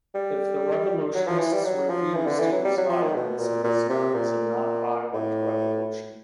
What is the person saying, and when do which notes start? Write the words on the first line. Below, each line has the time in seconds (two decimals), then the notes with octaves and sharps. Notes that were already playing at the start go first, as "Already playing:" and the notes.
If the revolutionists refuse to use violence, it is known as a nonviolent revolution.
0.14 G3
1.15 F#3
1.28 F3
1.39 E3
1.53 G3
1.64 F#3
1.89 F3
2.15 E3
2.26 D3
2.40 E3
2.52 F#3
2.65 G3
2.77 F#3
2.89 F3
3.02 D#3
3.15 B2
3.39 A#2
3.64 A#2
3.89 C3
4.14 A#2
5.13 A2